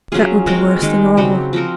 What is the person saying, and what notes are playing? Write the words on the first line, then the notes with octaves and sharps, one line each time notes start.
That would be worse than all.
F#3 C#4 F4 G#4
G#3 C4 F#4 A#4
D#3 G#3 D#4
C#3 F#3 C4 F#4
F3 C4 F#4 A#4